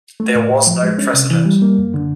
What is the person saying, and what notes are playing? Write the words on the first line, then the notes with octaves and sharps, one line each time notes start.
There was no precedent.
A3
A2
A2
F3
G#3
C#4
C3
E3
G3
A#3
F#2
D3